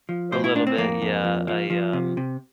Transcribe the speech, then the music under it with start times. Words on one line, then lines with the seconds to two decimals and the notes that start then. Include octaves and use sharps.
A little bit, yeah. I, um,
0.09 F3
0.32 A2 C5
0.44 E4
0.55 A2 D4
0.67 C4
0.78 F2 A#3
1.02 F2
1.24 F3
1.48 F3
1.70 F3
1.93 C3
2.17 C3